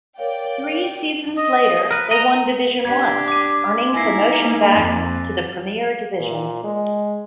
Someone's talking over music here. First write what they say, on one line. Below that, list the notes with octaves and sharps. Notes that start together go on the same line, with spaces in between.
Three seasons later they won Division One, earning promotion back to the Premier Division.
A#4 C#5 D5 F5 G5
D#5
A#4 B4
D#5 A#5
D4 G4 G#6
D6 D#7
A#3 D#4 E4 G#5 A#6 C7
F2 A6
A#2
G#3